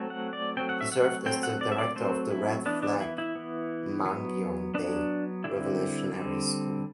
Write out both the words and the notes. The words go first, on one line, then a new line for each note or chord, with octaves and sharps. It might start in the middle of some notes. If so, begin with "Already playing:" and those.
He served as the director of the Red Flag Mangyongdae Revolutionary School.
Already playing: F#3 A3 C4
F#5
D5
F#3 A3 C4 G5
F#5
E5
F#5
F#3 A3 C4 G5
F#5
D5
E5
D5
F#3 A3 C4 C5
E4
E3 B3 D4
D4
E4
E4
E3 B3
F#3 B3
F#3 B3 D4
D3 G3 C4 E4
D3 G3 C4